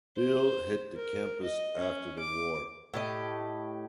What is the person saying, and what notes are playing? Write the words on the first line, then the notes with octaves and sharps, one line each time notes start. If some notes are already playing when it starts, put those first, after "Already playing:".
Bill hit the campus after the war.
C5
A#4
D#5
C#4
D6
A2 G4 D#5